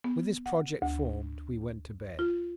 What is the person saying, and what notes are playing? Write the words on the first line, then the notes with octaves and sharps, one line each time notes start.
With this project formed, we went to bed.
B3
F#5
D2
F4